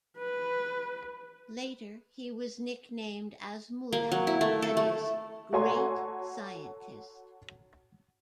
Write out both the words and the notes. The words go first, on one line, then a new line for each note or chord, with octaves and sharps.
Later he was nicknamed as Mulla, that is, great scientist.
B4
A#3
F#3
E4
A3
A4
A3
F#4 A4 C#5 G#5 A#5 C6